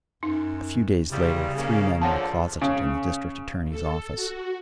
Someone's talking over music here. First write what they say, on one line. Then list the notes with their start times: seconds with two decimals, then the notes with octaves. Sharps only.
A few days later three men were closeted in the district attorney's office.
0.23 F#2 D#4
1.11 C2 C#3 G3
1.56 A#3 C#4 G#4
2.01 A#2 D3 F3 C#5 F#5 A5
2.61 C#3
3.70 A4
4.16 F#4